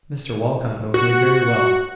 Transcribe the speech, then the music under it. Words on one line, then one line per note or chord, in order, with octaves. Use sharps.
Mr Walcot knows me very well.
F#4